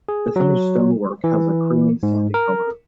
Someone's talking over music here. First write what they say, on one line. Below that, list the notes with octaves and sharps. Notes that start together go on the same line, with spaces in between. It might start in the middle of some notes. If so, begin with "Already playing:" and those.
The finished stonework has a creamy, sandy colour.
G#4
F#3
E3
G#2
A#4